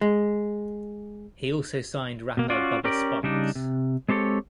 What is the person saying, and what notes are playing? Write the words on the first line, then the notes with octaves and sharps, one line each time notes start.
He also signed rapper Bubba Sparxxx.
G#3
B2 A#3
C#4 F4 F#4 D5
C#4 G4 A#4 D5
C#3 G3 D4 D#4
C3
G#3 C4 G4 A4 C#5